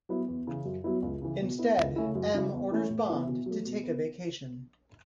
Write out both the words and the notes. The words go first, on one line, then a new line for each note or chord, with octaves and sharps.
Instead, M orders Bond to take a vacation.
F#3 B3 E4
E2
C#3 E3
F#2
F#3 B3 E4
C#2
C#3 E3
B2
B3 E4
C#2
C#3 A3 C#4 E4
F#2
C#3 F#3 C#4 E4
E2
E3 A3 C#4 E4
A2
E3 B3 E4
B2
F#3 A3
B2
B3